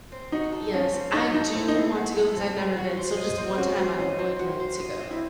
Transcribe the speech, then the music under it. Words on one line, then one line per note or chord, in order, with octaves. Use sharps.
Yes, I do want to go 'cause I've never been, so just one time I would like to go.
C4
D#4 F#4
A4
C4 C#4
C4
D#4 F#4
D#4 A4
C4 E4
D#4
C4 E4
F#4
A4
C4
C4
F#4
C5
D#5
C4
C#4 F#4
C5
C#4 D#5
C4
F#4
C5
D#5
C4
E4